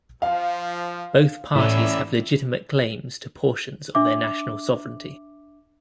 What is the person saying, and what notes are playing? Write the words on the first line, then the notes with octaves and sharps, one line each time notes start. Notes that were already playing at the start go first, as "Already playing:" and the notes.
Both parties have legitimate claims to portions of their national sovereignty.
F3 F5
A2 E3 C#4 D5 E5
D4 E5 D6